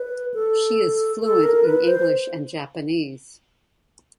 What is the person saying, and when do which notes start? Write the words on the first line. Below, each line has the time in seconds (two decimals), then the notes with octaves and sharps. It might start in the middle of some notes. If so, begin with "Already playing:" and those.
She is fluent is English and Japanese.
Already playing: B4
0.34 A4
1.22 A4
1.43 A#4
1.65 B4
1.87 C5